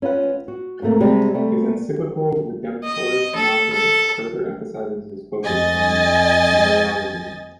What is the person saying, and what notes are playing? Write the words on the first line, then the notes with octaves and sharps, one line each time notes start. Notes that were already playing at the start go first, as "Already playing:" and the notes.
His encyclical "Redemptoris Mater" further emphasizes his focus on Mariology.
C#4 F4 B4 F#5
F#4
G#2 C3 A3 A#3
C3 G3 G#3 G4
C3 G3 A3
D#5
A4
A4
F2 D#5 G#5 A6